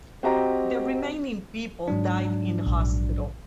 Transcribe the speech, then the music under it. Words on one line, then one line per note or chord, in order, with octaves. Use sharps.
The remaining people died in hospital.
C4 F#4 G4 D#5 A#5
G#2 F#3 D4
A#1